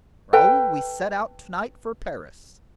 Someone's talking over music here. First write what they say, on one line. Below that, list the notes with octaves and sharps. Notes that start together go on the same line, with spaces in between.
"Raoul, we set out to-night for Paris."
A4 B4 G5